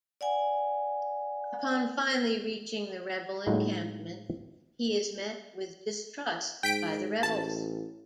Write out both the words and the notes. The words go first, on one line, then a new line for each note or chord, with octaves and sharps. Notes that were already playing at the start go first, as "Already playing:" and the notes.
Upon finally reaching the rebel encampment he is met with distrust by the rebels.
D5 F#5 G#5
A2 F#3 G#3 D#4 F4
G#2 G5 B6 D7
A1 A5